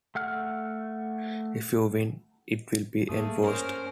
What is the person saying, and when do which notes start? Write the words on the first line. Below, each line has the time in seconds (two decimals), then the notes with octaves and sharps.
If you win, it will be enforced.
0.15 A3 F#5 F6
3.09 G2 A3 A#3 G#4 D#6
3.42 C#4 A#4 C5